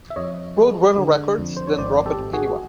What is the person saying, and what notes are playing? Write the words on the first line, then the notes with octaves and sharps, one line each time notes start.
RoadRunner Records then dropped Anyone.
E5
F2 C#5 D#5
G#3
D3
F2
C5
C#5
G#1 C5 D5
G4 A4
G#1
F#4 G#4